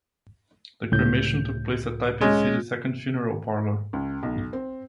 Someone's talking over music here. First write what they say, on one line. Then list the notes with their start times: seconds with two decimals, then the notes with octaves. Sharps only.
The cremation took place at Taipei City Second Funeral Parlor.
0.92 C#2 A2 G6
2.21 G#3 C#4
3.93 C#2
4.23 B1
4.53 C4